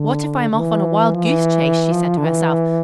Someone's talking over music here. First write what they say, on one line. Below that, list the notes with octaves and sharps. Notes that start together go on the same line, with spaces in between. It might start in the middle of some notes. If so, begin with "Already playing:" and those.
"What if I am off on a wild-goose chase?" she said to herself.
Already playing: D3
D3
E3
F3
E3
F3
D3
E3